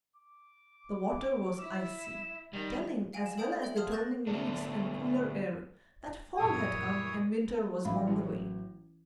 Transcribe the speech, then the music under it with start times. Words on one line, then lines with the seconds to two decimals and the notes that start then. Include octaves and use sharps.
The water was icy, telling, as well as the turning leaves and cooler air, that fall had come and winter was on the way.
0.16 D6
1.60 E4 E6
2.53 D#3 G3
3.13 F5 G5 G#5
3.26 E7
3.38 A4 D5 G5 D#6 G6
3.62 E5 G5 F#7 G7
3.76 F5 F#5 A5 C6 D#6 F6
3.91 C#6 F#6 G6 A6 A#6
4.27 D3 A3 B3 C#4 D4
6.37 F#2 A#2 E3 C#5 D#6
7.85 A1 F#3 E5 F5 B5
8.06 E3 C#4 E4